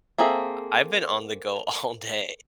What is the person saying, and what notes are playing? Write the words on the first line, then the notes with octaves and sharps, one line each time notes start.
I've been on the go all day,
A#3 C4 G#4 A4 E5